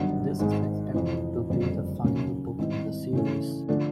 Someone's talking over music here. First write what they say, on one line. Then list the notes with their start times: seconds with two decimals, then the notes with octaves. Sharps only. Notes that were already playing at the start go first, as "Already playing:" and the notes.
This is expected to be the final book in the series.
Already playing: G1 G2 D#3 F#3 B3
0.39 G#1 G#2 D#3 G#3
0.94 F2 C3 E3
1.49 F#1 F2 D3 G3
2.04 D#2 C#3 F#3 A#3 C#4
2.59 G#2 D#3 G3 C4 E4
3.13 C#3 E3 A3 C#4
3.68 D3 F3 A3 D4